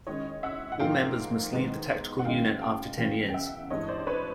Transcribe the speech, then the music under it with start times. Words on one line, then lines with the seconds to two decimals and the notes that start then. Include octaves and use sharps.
All members must leave the tactical unit after ten years.
0.07 D#3 G#3 C#4 C#5 D#5
0.43 E5 F#5
0.72 F#5
0.79 G#2 F3 A#3 F5 G5
1.52 G#2 D#3 G#3 B3
2.19 F#5
2.25 F#2 D#3 G#3 C#4 F5 G5
2.62 G5 A5
2.97 E2 C#3 F#3 B3 F5 G5
3.29 G5
3.34 E5 F#5
3.70 G2 E3 G#3 C4 D#4 C#5 D#5
3.88 C5 D5
4.07 B4 C#5